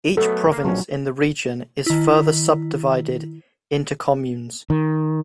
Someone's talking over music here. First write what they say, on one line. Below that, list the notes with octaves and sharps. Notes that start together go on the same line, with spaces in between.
Each province in the region is further subdivided into communes.
F#3 A3 B3 A4
A#3 F5
A#1 F#3 C#4
D#3 E4
D#3